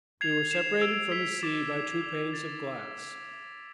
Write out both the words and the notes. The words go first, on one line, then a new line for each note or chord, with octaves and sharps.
We were separated from the sea by two panes of glass.
G#6 C7 F7
G#6 C7 E7
E6 G#6 D7 F7
E6 B6 F7
D6 A6 E7
E6 A6 E7
E6 A6 C7
A6 E7